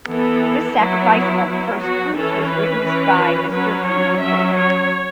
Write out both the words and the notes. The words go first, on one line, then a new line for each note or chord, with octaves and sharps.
This sacrifice of first-fruits was witnessed by Mr. Woodford.
E3 B3 A4
F#3 B3 E4
F#3 B3
F#4
E3 C#4 A4
B4
E3 C#4
F#3 C#4 B4
C#5
F#3 C#4 E5
C#5